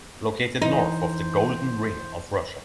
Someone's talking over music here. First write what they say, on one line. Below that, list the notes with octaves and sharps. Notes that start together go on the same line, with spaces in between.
Located north of the Golden Ring of Russia.
E3 D#4 C5